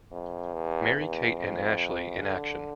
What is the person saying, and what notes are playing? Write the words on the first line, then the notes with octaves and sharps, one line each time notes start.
Mary-Kate and Ashley in Action!
F2
E2
E2
F2
D3